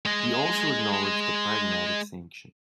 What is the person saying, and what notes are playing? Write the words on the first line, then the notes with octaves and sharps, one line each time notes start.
He also acknowledged the Pragmatic Sanction.
G#3 D#5